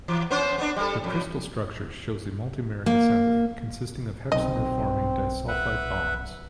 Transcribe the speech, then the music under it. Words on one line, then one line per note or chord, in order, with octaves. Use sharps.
The crystal structure shows a multimeric assembly consisting of hexamer-forming disulfide bonds.
E3
B3 C#4 C5
B3 D4
G3 A4
F2
A#3
B1 C4 D#5
B4 E5 F#5